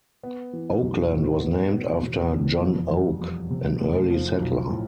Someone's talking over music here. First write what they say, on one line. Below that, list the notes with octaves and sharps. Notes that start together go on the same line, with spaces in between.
Oakland was named after John Oak, an early settler.
B3
E3
B1
A2
B3
B2
E1
E2
F2
G3
F2
C3
A3
F3
B1
A2